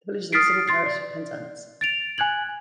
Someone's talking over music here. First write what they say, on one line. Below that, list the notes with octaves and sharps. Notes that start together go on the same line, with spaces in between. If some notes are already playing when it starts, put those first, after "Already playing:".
The village is in the civil parish of Penzance.
D#6 F6 A6 B6 C7 D7
C6 A6 C7
D5
A6 D7 F7
G#5 F#6 G#6 F#7